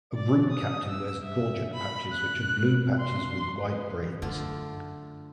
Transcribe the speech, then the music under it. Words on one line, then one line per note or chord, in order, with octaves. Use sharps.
A group captain wears gorget patches which are blue patches with white braids.
D5
D#6
E6
E5
B5
F#6
C6
B4
F#2 D3 A3 F4